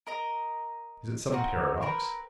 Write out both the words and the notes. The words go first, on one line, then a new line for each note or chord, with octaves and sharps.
Is it some paradox?
A#4 D#5 A#5
C4 D#4 F#4 F5
C4 A#4 B4